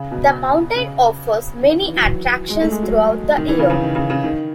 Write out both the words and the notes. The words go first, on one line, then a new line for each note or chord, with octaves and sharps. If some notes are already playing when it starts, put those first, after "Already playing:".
The mountain offers many attractions throughout the year.
Already playing: C#3
B2
C#3
D#3
D#3
E3
F#3
G#3
A3
G#3
F#3
D#3
E3
C#3
C#3
D#3
C#3
C#3
D#3